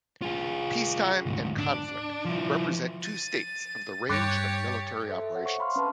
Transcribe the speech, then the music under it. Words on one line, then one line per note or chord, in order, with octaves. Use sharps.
Peacetime and conflict represent two states of the range of military operations.
F4 G#4
D2 G#2
D4
F3 E4
A6 D#7
G2 G4 C#5 D6 F#6 A#6
A4 C5 E5
A4
C#5 F#5
C#6
F5 B5 C6 F6
C#4 B4 A5